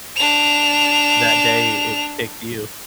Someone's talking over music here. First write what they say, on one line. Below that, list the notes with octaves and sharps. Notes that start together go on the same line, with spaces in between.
that day it picked you.
D4 F7